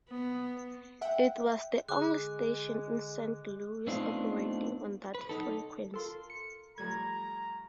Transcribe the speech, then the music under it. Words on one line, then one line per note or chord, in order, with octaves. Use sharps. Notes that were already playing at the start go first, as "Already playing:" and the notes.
It was the only station in Saint Louis operating on that frequency.
B3
E5 F#5 G5
D3 G#3 G#4 D6 D#6 F#6
A3 B3 C4 D4 D#4 F4
B4
D#4 A4
F4 A4 A#4 C6
C#7
F3 G3 A3 A#5 G#6